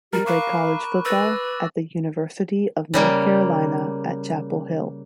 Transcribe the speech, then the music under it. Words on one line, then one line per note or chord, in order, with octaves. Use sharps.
He played college football at the University of North Carolina at Chapel Hill.
G3 G4 A#4
F5 B5 C#6 D6 F#6
B4 E6 A6 A#6
C#3 G3 A#3